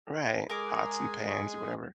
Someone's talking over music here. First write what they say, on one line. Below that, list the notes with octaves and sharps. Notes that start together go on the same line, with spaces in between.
Right, pots and pans or whatever.
G#3 G#4 A#4 D6